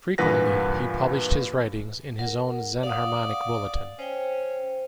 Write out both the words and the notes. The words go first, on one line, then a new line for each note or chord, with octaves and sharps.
Frequently he published his writings in his own Xenharmonic Bulletin.
G2 A#2 E3 B4 F#5 A#6
A#4 F#5
D5 F5 F#5 D#6
C#4 C5 G5